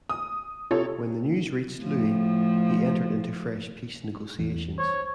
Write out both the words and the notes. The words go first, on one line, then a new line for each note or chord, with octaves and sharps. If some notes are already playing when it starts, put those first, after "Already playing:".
When the news reached Louis, he entered into fresh peace negotiations.
D#6
C3 F4 A4 C#5
A2 F3
E2
C5 C#5